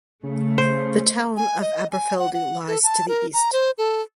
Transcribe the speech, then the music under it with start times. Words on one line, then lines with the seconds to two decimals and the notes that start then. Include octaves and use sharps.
The town of Aberfeldy lies to the east.
0.23 C#3 A3
0.58 C5
1.37 G#5
1.61 D#5
1.92 G#5
2.19 F#5
2.34 F#5
2.67 A4
2.83 A5
3.08 A#4
3.33 A#5
3.53 C5
3.78 A4